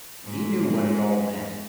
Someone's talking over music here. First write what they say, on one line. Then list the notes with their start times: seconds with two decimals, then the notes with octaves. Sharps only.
He knew what it all meant.
0.24 G#2